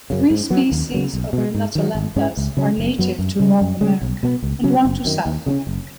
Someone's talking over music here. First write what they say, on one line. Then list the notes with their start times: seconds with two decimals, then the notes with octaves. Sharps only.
Three species of "Nuttallanthus" are native to North America and one to South America.
0.10 F#2 C#3
0.30 G#2
0.50 F#3 B3
0.72 D#2
0.92 C#3 F#3 B3
1.13 B1
1.33 B2 G#3
1.55 G#2
1.75 D#3 F#3
1.95 G#1
2.16 G#2 G#3 C#4
2.37 C#2
2.57 C#3 F#3 C#4
2.78 F#1
2.99 F#2 F#3 B3
3.19 F#2
3.40 C#3 G#3
3.61 F#2
3.81 C#3 G#3 C#4
4.02 B1
4.23 B2 B3
4.42 C#2
4.63 C#3 F#3 C#4
4.85 F#1
5.05 F#2 D#3
5.26 D#2
5.46 C#3 F#3 C#4
5.67 F#1